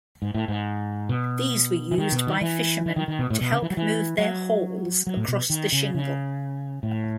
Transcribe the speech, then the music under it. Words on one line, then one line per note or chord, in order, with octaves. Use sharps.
These were used by fishermen to help move their hauls across the shingle.
G#2
A2
G#2
B2
E3
D#3
B2
D#3
E3
E3
D#3
D#3
B2
A2
B2
C#3
E3
F#3
E3
F#3
F#3
A2
B2
D#3
C#3
C#3
A2